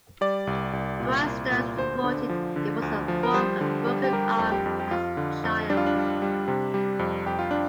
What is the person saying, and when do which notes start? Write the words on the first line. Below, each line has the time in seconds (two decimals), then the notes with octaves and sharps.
Dwight Stones reported it was from a broken arm as a child.
0.21 G3 D5
0.47 C2
0.73 C2
1.00 A#2
1.26 C2
1.51 A#2
1.77 D2 C5
2.04 D3
2.29 F3
2.56 D3
2.82 D2
3.08 F3
3.23 A#4
3.34 G3 C5
3.61 D3
3.87 G3
4.04 G4
4.13 G3 A#4
4.39 F2
4.52 G4
4.66 F2
4.80 G4
4.91 F2 F4
5.17 D3
5.44 F2
5.70 G3 D4
5.77 F4
5.86 D4
5.96 G3
6.22 G3
6.48 C3
6.74 G3
6.99 F2
7.26 F2 G4
7.39 F4
7.51 D4